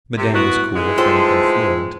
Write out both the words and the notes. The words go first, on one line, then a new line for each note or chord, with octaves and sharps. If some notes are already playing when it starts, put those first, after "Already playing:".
Madame was cool, frank, and fluent.
C3
B3 E4 F#4 F#6 D7
G#2 E3 G#3
A3 F4 A4 C5 G5 E6